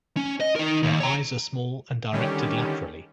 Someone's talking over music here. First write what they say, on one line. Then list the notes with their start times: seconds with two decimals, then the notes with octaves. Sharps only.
Their eyes are small and directed laterally.
0.17 C#4
0.40 D#5
0.56 D#4 A#4
0.83 D#2
1.00 C#5 A#5
2.12 D3 D#3 G3 C#4 G4